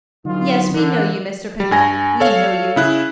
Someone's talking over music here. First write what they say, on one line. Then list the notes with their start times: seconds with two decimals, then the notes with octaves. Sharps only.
Yes; we know you, Mr. Pickwick; we know you.'
0.25 A#1 D3 F#3 D#4 F4
0.74 D3 E3 A#4 F#6
1.60 G3
1.71 G2 G#5 A#6
2.20 A4 C#5 F5
2.76 C#3 E4 F#6